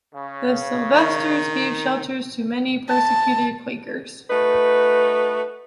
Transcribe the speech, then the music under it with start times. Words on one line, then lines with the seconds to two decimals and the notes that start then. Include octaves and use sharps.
The Sylvesters gave shelter to many persecuted Quakers.
0.13 C#3
0.94 D#3
2.89 A5
4.29 A3 D#4 F#4 B4